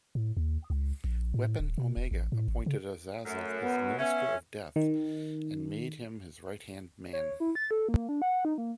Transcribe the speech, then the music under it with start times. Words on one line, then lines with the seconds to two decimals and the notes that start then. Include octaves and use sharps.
Weapon Omega appointed Azazel his Minister of Death and made him his right-hand man.
0.15 A2
0.37 D#2
0.70 C#2
1.04 A#1
1.34 A2
1.60 D1
1.78 B2
1.97 E1
2.11 A1
2.32 A2
2.48 G#1
2.66 C#3
3.26 F#2 A3
3.62 B3
3.99 B3 C#4 E5
4.76 D#3
7.13 C#5
7.40 E4
7.55 A6
7.71 A4
7.89 A#3
8.09 D4
8.22 F#5
8.45 D#4
8.58 A#3